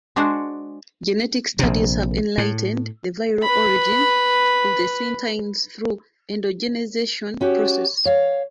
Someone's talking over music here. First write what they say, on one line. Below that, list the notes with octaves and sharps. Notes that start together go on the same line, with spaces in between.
Genetic studies have enlighted the viral origin of syncytins through endogenization process.
G#3 D4 F#4 C5 F#5
A#1 C3
A2
B4 B5
C#4 F#4 G4
C#5 F5